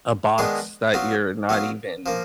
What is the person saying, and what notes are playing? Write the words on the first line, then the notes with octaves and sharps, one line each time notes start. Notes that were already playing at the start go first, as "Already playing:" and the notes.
a box that you're not even,
D#3 G#3 B3 D4 G#4
F#3 B3 F4
F#3 B3 F4
F3 A#3